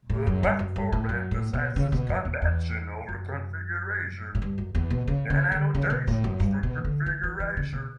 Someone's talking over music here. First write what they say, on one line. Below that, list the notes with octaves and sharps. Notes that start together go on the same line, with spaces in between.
The platform emphasizes convention over configuration and annotations for configuration.
A2
F#2
G2
F#2
G2
A2
F#2
A2
B2
C#3
B2
F#2
E2
E2
F#2
A2
G2
F#2
E2
B2
C#3
C#3
D3
C#3
B2
A2
F#2
G2
B2
D3
E3
E3
E3
C#3
B2